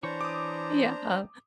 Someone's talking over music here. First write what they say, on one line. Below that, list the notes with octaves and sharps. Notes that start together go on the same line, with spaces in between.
Yeah, uh
E3 D4 C5 C#5 A#5
D6 D#6